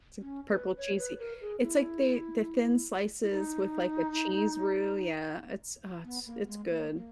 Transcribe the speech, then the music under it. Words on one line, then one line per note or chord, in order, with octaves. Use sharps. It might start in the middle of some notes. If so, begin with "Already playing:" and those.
T purple cheesy. It's, like, they, the thin slices with like a cheese roux, yeah, it's, uh, it's good.
C#4
B4
C#5
B4
A#4
G#4
E4
E4
D#4
B3
A#3
G#3
A#3
A#3